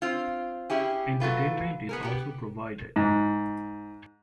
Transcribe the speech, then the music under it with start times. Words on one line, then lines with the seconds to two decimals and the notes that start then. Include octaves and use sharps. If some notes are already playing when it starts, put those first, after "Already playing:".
Entertainment is also provided.
0.02 C4 F4
0.70 C#4 E4 G4 G#4
1.20 F#3 A3 F4 B4
1.89 B3 G#4 A#4
2.03 B3 G4
2.96 G#2